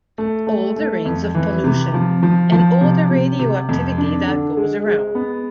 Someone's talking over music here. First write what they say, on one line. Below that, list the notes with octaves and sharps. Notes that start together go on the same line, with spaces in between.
All the rings of pollution, and all the radioactivity that goes around.
A3
A3
A3
F2
E3
C3
F3
F3
F3
C3
C3
C3
F2
D4
D3
G#3
G#3
B3